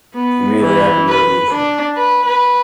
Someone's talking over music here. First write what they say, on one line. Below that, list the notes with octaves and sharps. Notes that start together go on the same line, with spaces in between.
Immediately after the Revolution.
B3
E3
B4
D4
B4
B4